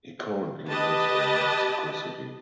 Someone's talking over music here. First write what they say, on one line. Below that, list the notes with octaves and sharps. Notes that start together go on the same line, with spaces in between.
He currently lives in the Mexico City.
G4 B4 D#5 A5